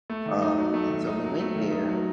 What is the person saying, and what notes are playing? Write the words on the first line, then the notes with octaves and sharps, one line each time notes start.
um, and so we went there,
A3
D#3
D#4
F#3
A3
D#3
D#4
F#3
A3
D#3
D#4
F#3